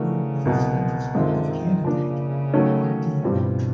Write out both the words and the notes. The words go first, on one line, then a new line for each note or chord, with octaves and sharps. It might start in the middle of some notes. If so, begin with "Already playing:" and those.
Mote with its then-prospective candidate R. D. Moate.
Already playing: C#3 E3 A3 D4 F#4 A#4
C2 B2 F#3 B3
F#2 D3 D#3 G#3 C4 F4
D#3
C#3 F3 A#3 D4
D#3 F#3 A3 C#4
G2 B2 E3 G3 C4 F4